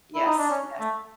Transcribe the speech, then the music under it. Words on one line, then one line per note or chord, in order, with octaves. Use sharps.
Yes, yes.
E4
D#4
D4
C#4
A3